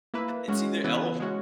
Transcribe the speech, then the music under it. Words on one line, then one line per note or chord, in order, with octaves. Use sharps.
It's either Elf
A#3 E4 B4
G#3 C#4 F#4
C#3 E3 B3 E4 B4
G#3 C#4 F#4